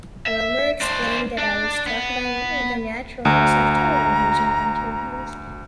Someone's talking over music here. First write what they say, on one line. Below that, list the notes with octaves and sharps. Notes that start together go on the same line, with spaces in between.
Rohmer explained that I was struck by the naturalness of television interviews.
E5
D4 C5
D4
B3
D2 A#5